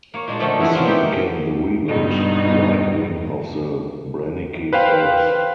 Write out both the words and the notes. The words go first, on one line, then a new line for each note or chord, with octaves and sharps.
His seat became the rebuilt right wing of the Branicki Palace.
A#3 C#5
A#2 G#3 D4
B2 D3 F3 A3 B3 C#4
E3 E4 G#4 D5
E3 F#3 A#3 C4 E4 F4
F#3 G3 C#4 D#4 G4
G2 B2 D#4
B4 C5 F5 G5